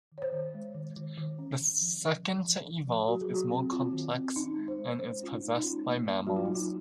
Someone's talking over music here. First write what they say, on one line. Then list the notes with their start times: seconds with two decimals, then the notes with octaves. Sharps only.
The second to evolve is more complex and is possessed by mammals.
0.12 D#3
0.18 C#5
0.22 C5
0.32 D#3
0.54 G#3
0.75 D#3
0.96 D#3
1.17 D#3
1.39 C#4
1.60 D#3
1.81 F3
2.02 F3
2.24 F3
2.45 F3
2.66 F3
2.87 F3
3.08 F#3 F#4
3.21 G#4
3.29 F#3
3.34 F#4
3.51 C4
3.72 C4 F4
3.93 D#3
4.15 C4
4.36 C#4 D#4
4.57 G#3
4.68 C5
4.78 G#3
4.99 C#4 C5
5.21 C#4 F4
5.31 D#4
5.42 G#3
5.57 D#4
5.63 C#4 F4
5.85 A#3
6.06 A#3
6.27 F#3 F#4
6.36 F4
6.45 F#3 D#4
6.55 F4